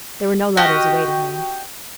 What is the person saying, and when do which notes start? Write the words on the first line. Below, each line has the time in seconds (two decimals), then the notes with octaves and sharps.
There were no letters awaiting him.
0.57 F#4 G4 D#5 F6